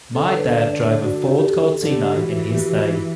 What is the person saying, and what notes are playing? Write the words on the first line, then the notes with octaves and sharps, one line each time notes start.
My dad drove a Ford Cortina in his day.
D3 A4
A4
B4
D5
C#5
F#4
G4
G4
A4
A4
D3
G4
E3 F#4
E4
G4
F#4
E4
E4